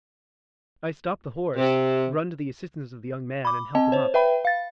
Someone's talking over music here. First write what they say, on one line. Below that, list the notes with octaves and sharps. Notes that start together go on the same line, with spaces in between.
I stop the horse, run to the assistance of the young man and help him up.
C3
B5 D6
C4 D#5 A5
C5 C#5
B4 E5 G5 B5
F5 A6